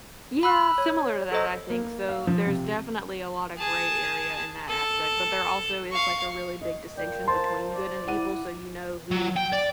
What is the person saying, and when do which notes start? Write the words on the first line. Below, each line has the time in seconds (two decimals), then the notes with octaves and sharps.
Yeah, similar to that, I think, so there's definitely a lotta gray area in that aspect, but there also is like a really big distinction between good and evil, so you know who
0.43 B5 E6 F#6
0.78 C#5
1.32 A4 C5 D#5
1.70 A#3
2.09 F5
2.27 F3
2.46 C3
3.57 G#4 A5
4.69 A4
5.91 F5 C#6
6.62 D#5
6.98 F4 A#4 D5 G5
7.27 C5 A5 C6
7.73 D5
8.08 E4 F#5 D#7
9.11 F#3
9.37 G5
9.53 D5